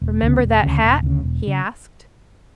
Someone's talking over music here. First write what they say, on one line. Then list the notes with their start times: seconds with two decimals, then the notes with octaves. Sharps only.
"Remember that hat?" he asked.
0.01 E1
0.23 D2 C#3
0.43 E1
0.63 D2 C#3
0.84 E1
1.03 D2 C#3
1.23 E1
1.47 C#3